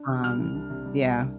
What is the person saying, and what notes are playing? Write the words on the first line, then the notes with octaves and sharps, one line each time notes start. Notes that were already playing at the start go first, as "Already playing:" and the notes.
um, yeah.
Already playing: D4
C3
G3 F6
C2
D4
C3
G3
C2
D4